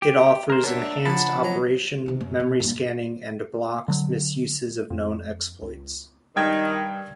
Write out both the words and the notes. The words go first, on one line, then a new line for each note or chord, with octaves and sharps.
It offers enhanced operation memory scanning and blocks misuses of known exploits.
G4
A#4 C5
A#3 D4 A#4 C#5 E5 F#5
C#3 F3 A#3 D4 F#4 F#5 A5 B5
F2 F#3 F#4 A#5
C3 D#3
F#2
B2
G2 A#2
D3 F#3
F2
C#2
G2 D#3 G5 G#6